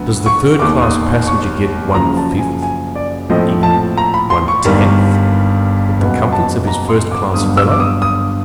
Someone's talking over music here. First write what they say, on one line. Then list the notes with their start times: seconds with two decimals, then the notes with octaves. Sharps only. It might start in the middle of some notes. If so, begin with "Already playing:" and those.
Does the third class passenger get one-fifth, even one-tenth, of the comforts of his first class fellow?
Already playing: D2 D3 F#3 B3
0.26 C#6
0.59 E1 D#2 D#3 D6
0.82 D#6
1.27 C#6
1.95 F#1 F#2 C#3 F3 A#5
2.17 A5
2.39 G#5
2.63 G#5
2.96 D5
3.29 A#1 A2 F3 A3 C4 D#5
3.63 A5
3.98 A#5
4.14 B5
4.30 C6
4.48 C#6
4.65 G1 G2 D#3 G3 A#3
5.99 F#1 E2 B2 F#3 B3
6.33 A5
6.67 A#5
6.89 C6
7.11 D6
7.34 G1 G2 D3 F#3 D#6
7.57 E6
7.71 D6
7.80 D#6
8.02 D#6